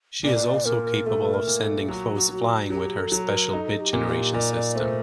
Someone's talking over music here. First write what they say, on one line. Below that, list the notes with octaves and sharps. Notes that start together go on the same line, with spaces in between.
She is also capable of sending foes flying with her special Bit Generation system.
A#2 D5
A#2 A#4
A3 A4
A#4
A#2
A4
F#3 F#4
F#4
F#3
F#3 G4
A4
F#3
A#4
D#4 A4
G4
A#2
G4
A#2 D5
D5
A3 C5